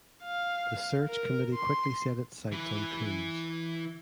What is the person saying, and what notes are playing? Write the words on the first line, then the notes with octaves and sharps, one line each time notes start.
The search committee quickly set its sights on Coombs.
F5
A#4
C6
E3 B4